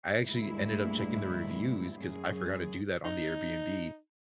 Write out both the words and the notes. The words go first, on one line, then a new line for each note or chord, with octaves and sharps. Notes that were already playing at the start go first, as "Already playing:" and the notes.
I actually ended up checking the reviews 'cause I forgot to do that on the Airbnb.
D2 G2 A#2 G#3 A#3 E4
F#2 G#4
D#4